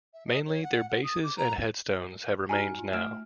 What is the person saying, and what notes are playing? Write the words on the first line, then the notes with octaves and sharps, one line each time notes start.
Mainly their bases and headstones have remained now.
E5
D#5
C#5
F#5
F#5
D#6
D6
A#5
D#4 F#4 D#5 G#5 A#5 F6
F4
A3 F6 D7 E7